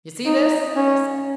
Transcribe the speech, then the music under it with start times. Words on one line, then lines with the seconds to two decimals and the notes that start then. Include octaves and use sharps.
"You see this?" he said.
0.25 D#4
0.76 C#4